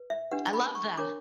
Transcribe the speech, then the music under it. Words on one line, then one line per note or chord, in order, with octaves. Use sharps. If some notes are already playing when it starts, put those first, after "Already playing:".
I love that.
Already playing: B4
E5
D4 G4 B4 F#5
B5
C#6
D4 A#4 C#5 D6